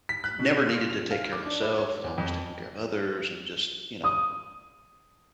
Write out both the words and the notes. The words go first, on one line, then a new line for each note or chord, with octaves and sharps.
never needed to take care of myself, was always taking care of others, and just, you know?
B6
F#6
B2
F4
F7
F5
D6
D4
E4
C#5
E2
F2
D#6